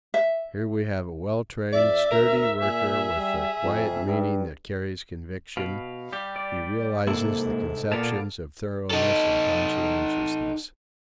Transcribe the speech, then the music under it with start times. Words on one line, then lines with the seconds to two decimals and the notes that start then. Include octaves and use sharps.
Here we have a well-trained, sturdy worker, with a quiet meaning that carries conviction; he realises the conceptions of thoroughness and conscientiousness.
0.14 E5
1.73 F2 D5 E5
2.12 D2 A#4
2.62 A#2 G#4
3.16 G3
3.63 F2
4.05 G2
5.57 B2 F5 B5
6.13 G3 G4
6.36 D5
7.07 C2 G#2 C3 A#3 E4 A4
7.92 A#2 A#3 B3 D5 F5 A5
8.91 D#4 A4